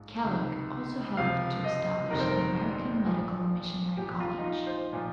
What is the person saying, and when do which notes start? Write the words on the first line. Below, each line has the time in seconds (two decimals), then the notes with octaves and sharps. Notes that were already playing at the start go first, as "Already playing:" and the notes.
Kellogg also helped to establish the American Medical Missionary College.
Already playing: A#1 G#2 F3
0.24 C#2 C3 D#3
1.17 C#2 C3 F3 F5
1.64 D#5
2.10 G1 F2 C3 D#3 A#4
2.20 C5
2.28 A#4
3.04 A#1 A#2 F3
3.97 A#1 A#2 F3 G4
4.20 F4
4.38 D#4
4.44 F4
4.67 C5
4.93 A#2 F3